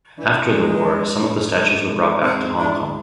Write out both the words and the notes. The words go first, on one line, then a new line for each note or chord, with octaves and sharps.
After the war, some of the statues were brought back to Hong Kong.
E3 D4
F3 G#3
D4
D4
G#2
G#2
G#2 C4
D4 E4